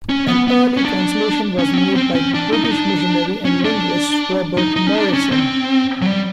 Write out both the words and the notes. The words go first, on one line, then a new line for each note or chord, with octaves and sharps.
An early translation was made by British missionary and linguist Robert Morrison.
C#4
B3
B3
C#4
D4
C#4
C4
C#4
C4
C#4
D4
D#4
D#4
D4
C#4
D4
D#4
D#4
C#4
D4
C#4
C4
F#3
G3